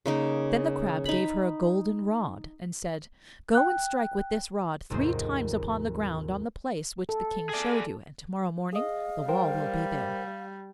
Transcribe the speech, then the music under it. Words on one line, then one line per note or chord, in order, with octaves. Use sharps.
Then the Crab gave her a golden rod, and said, 'Go and strike with this rod three times upon the ground on the place which the King showed you, and to-morrow morning the wall will be there.'
C#3 A#3 D#4
D#4 B5
G5 F#6
F1 D#2 G#2 G#4 C5
A4
G#4 D5
G#4 D#5 F5
G3 A#4 C5 G5